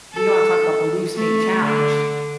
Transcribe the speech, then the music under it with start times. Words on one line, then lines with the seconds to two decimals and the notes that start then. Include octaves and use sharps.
you wanna talk about beliefs being challenged.
0.13 A4
1.15 A3
1.63 D3